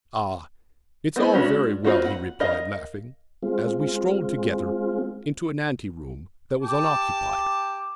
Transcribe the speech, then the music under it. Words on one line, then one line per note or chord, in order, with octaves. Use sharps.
"Ah, it's all very well," he replied, laughing, as we strolled together into an ante-room that was unoccupied.
B3 C4 D4 E4
G#3 C#4 D4 F#4
A#3 C4 D#4 F4 F#4
F#5
A#4 D#5 F5
G#3 C4 F4
G4 A5 D6